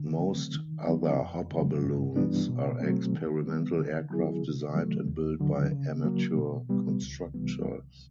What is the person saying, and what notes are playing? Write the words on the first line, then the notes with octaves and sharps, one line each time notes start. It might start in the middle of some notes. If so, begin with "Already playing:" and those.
Most other hopper balloons are experimental aircraft designed and built by amateur constructors.
Already playing: D3
F#3 A3 C4
D#3
F#3 B3 D#4
F2
C#3 F#3
G2
E3 G3 B3 D4
B2
F#3 A3 C4
D#3
G3 B3
D3
F#3 B3 E4 G#4
C3
D#3 F#3 A3
D#2
D3 F#3
C#3
F#3 A#3
B2
G3 B3
C#2
C3 E3 G3 B3
C2